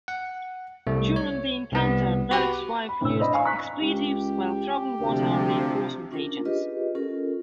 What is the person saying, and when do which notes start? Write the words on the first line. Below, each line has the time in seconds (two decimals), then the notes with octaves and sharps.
During the encounter, Ruddock's wife used expletives while throwing water on the enforcement agents.
0.08 F#5
0.87 C2 A3
1.16 C#5
1.71 C2 B3
2.31 F#4 G4 B4
2.89 B5
3.01 A1 D2 C3 C4 C#5 E6
3.19 C5 D5 D#5 B5
3.33 F5 G#5 C#6
3.45 A#5 C#6 F#6 B6
3.81 C#2 G4
5.00 D2 C3 F3
6.12 C#4 D4 F4 A#4
6.45 F4 G4 G#4 B4 D#5
6.95 C#4 F4 A4 A#4